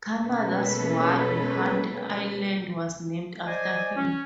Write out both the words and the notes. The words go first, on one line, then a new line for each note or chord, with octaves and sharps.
Canada's Ward Hunt Island was named after him.
B2 G#3 A#3 C#4 A4 B4
C5 D5 D#5 G#5
C#4